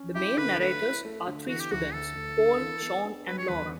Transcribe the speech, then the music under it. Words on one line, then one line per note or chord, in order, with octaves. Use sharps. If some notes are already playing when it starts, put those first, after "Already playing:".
The main narrators are three students: Paul, Sean, and Lauren.
Already playing: C#4
E4 G4
D3 B4
A3 B4
E4
A3
D3
E3 F#4
G4
D2 F#4
A3 A4
D2
D4
E3
B3
D4
G3 B4
C#5
E2 B4